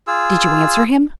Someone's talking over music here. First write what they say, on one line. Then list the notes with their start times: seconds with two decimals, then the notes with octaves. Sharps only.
"Did you answer him?"
0.07 F4 G#4 E6